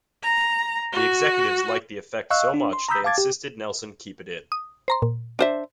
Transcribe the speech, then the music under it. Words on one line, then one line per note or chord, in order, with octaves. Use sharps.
The executives liked the effect so much, they insisted Nelson keep it in.
A#5
F#4
D#5 F5 C#6 E6 F#6
D4
C6
A#5 B5 D#6 E6 G6 B6
F5 A5 D6 G#6 A6
G4
D#6
C5 A#5 C6
A#2
D4 C5 E5